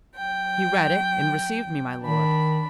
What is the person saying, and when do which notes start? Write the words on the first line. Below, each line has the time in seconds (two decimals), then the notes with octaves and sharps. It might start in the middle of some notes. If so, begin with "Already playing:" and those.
"He read it, and received me, my lord."
0.16 F#3 G5
2.03 D#3 D4 B5